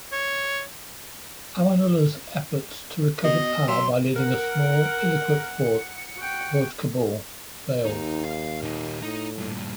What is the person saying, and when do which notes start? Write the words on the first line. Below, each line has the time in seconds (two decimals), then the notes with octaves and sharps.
Amanullah's efforts to recover power by leading a small, ill-equipped force toward Kabul failed.
0.12 C#5
3.24 B2 D#5
3.68 F#3 E5 C6
4.16 A#4 F#5
5.59 C#7
6.16 F#4 G5
7.85 D#2 D#4
8.24 F5
8.62 A#2 D#4
9.02 A2 D#4
9.38 G2 A#2